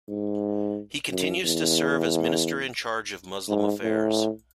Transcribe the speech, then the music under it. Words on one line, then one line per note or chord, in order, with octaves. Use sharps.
He continues to serve as the Minister-in-charge of Muslim Affairs.
G#2
F#2
E2
G#2
A2